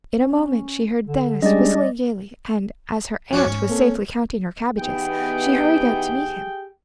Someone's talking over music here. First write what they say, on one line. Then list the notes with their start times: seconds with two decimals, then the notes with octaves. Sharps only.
In a moment she heard Denis whistling gaily, and as her aunt was safely counting her cabbages, she hurried out to meet him.
0.22 C#4
1.07 D3
1.42 G3 G#3 C#4 D4 G4 D5 D#5
3.33 F3 C#4 D4 F#4
3.46 G#2 C#4
3.69 A#3 C4 A4
4.78 E3 B3 D#4 G4 G#4 G5